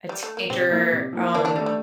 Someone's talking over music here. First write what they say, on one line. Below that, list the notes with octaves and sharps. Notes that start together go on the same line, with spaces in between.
a teenager, um,
G3
A3
A#3
C3 C4
F3 A#3 E4
C3
F3 A#3 E4
D3 A#3 D4
A#3 D4
G3 A3 D4 A4
G3